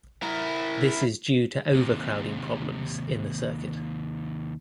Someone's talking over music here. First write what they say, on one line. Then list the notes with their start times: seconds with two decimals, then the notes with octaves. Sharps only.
This is due to overcrowding problems in the circuit.
0.23 E4 A#4
1.74 D#2 C3